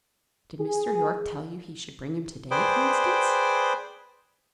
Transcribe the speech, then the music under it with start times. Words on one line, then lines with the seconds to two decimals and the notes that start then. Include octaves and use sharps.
"Did Mr. Yorke tell you he should bring him to-day, Constance?"
0.60 G#4
2.51 G#4 B4 C5 D5 G5